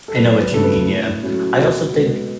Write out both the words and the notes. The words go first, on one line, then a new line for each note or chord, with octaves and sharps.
I know what you mean, yeah. I also think
A4
F#2 B4
B4
C#3 F#3 A3 C#4 A4
B4
A2
F#3 A3 C#4
B2
G#3 B3